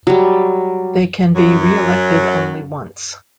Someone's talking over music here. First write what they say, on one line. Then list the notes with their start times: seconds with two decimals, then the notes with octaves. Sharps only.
They can be re-elected only once.
0.07 F#3 G3
1.35 F#2 F#3